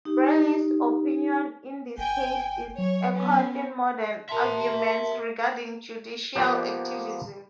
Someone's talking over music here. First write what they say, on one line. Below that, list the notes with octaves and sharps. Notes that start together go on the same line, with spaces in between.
Bradley's opinion in this case is echoed in modern arguments regarding judicial activism.
D#4 G4
G1 G5 G#5
F#3 C#5
B3 C#4
A#4 E5 A5 A#5 C6
F3 A#3 B3 G4